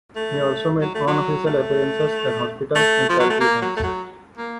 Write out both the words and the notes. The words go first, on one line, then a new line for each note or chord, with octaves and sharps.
He also made unofficial appearances at hospitals and charity events.
A3
F#3
A3
F#3
A3
A3
F3
F#3
A3
A#3
F#3
A3
F#3
A#3